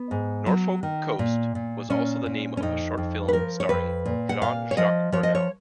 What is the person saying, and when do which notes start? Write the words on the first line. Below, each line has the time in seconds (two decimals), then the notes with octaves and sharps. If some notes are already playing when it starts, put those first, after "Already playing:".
"Norfolk Coast" was also the name of a short film starring Jean Jacques Burnel.
Already playing: B3
0.11 G#2
0.46 F#3
0.83 D#3
1.19 A#2
1.55 A#2
1.90 A#2 C#4
2.26 A#2
2.57 C#4
2.62 F2 D#4
2.98 F2
3.28 B4
3.33 F3 A#4
3.60 C#5
3.69 F2 B4
4.06 A#2
4.29 F#5
4.42 A#2 F5
4.71 C#5
4.77 F3 D#5
5.12 F3 C#5
5.23 D#5
5.35 C#5